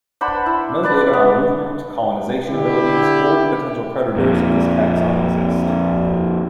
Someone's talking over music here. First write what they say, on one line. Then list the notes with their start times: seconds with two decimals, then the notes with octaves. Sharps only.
No data on movement, colonization abilities, or the potential predators of this taxon exist.
0.21 D4 C5 F#5 B5
0.46 E4
0.83 B4 D5 A5
1.13 B3
2.49 D3 E4 G4
4.16 F2 A#2